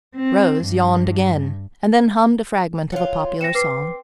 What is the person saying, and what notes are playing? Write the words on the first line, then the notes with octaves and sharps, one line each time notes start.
Rose yawned again, and then hummed a fragment of a popular song.
C4
G2
F#3 F4
C4 A#6 C#7 E7
B4 D6 C7